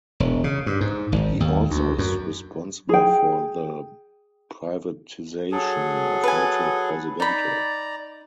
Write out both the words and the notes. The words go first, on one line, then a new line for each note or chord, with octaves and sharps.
He also is responsible for the privatization of Hotel Presidente.
E1
C#3
G2
G#2
G#1
D#2
D2
F#2
G#4 G5
F#3 G#4 A4
B4 G#5
D#4 D5 A#5 B5